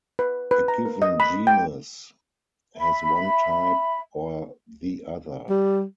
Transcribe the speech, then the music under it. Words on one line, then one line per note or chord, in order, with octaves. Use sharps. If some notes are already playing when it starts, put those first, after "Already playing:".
A given genus has one type or the other.
B4
B4
A#5
A#4
D#5
B5
G5
E5 B5
G3